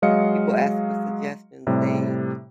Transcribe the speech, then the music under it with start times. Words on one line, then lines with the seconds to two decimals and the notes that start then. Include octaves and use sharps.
people ask for suggestions, they
0.02 F#3 G#3 D#5 F5 C#7
1.67 A2 C3 G3